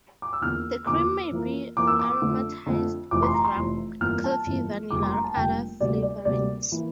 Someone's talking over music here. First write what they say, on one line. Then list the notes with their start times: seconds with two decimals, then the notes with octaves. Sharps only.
The cream may be aromatized with rum, coffee, vanilla, or other flavorings.
0.22 D6
0.33 E6
0.41 E2 D3 F3 A#3 F6
0.86 E2 D3 F3 A#3 D6
1.31 F2 E3 A#3
1.77 F2 E3 A#3 D6
1.87 E6
1.99 D6
2.22 F2 D3 A3
2.66 F2 D3 A3
3.11 F1 F2 E3 D6
3.23 C6
3.34 A#5
3.45 C6
3.56 F1 F2 E3
4.01 G1 F2 E3 A#3 F6
4.24 A5
4.46 G1 F2 E3 A#3
4.91 F1 F2 D3 G3 A#3 D6
5.03 C6
5.13 A#5
5.24 A5
5.36 F1 F2 D3 G3 A#3 G5
5.80 D2 C3 G3 A#3 D5
6.03 D5
6.25 D2 C3 G3 A#3 D5
6.72 E3 A#3